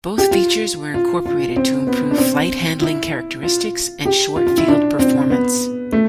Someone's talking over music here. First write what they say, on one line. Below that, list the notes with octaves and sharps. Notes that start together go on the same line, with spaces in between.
Both features were incorporated to improve flight handling characteristics and short-field performance.
G4
F4
F4
F4
C4
B3
D4
C4
E4
F4
G4
F4
F4
E4
D4
C4
B3
A3